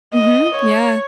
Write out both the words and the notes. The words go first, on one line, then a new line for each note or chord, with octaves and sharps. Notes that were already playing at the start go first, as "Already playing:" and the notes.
Mhm, yeah.
D#5
C#5